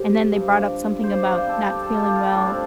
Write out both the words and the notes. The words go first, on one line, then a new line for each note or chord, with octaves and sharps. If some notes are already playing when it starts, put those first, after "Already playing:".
and then they brought up something about not feeling well
Already playing: C3 G3
G2 F3
C5
D5
F5
C3 G3 G5
A4
G4
A4
F4
G4
F4
A2 G3 D4
C4